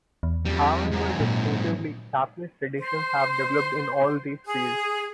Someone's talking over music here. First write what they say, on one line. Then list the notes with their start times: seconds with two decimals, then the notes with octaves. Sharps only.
However distinctively Japanese traditions have developed in all these fields.
0.23 E2
0.45 F2 G3
0.92 G#2 F#3
1.20 A#2
2.78 C5
4.46 G#4